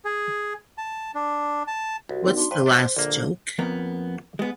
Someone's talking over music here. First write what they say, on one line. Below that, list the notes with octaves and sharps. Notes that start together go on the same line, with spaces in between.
What's the last joke?
G#4
A5
D4
A5
C2 F#4
B3 C4 D#4 F#4
D4 C6
G2 B4 C5
G3 B3 D4
A#1 D3 A#3
F2 A#3 B3
G#3 B3